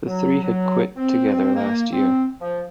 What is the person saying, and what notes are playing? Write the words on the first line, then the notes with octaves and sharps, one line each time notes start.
The three had quit together last year.
F#3
F#3
C4
A#3
C4
F3